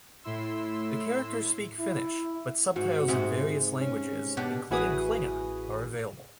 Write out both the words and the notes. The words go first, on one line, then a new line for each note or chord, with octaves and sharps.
The characters speak Finnish, but subtitles in various languages, including Klingon, are available.
A2 E4 C6 E6
E4
G#2 F#4
G#2 C3 G#3
C#4
B2 D4 G4
A1 E4 F#4 G#4 B4 D#6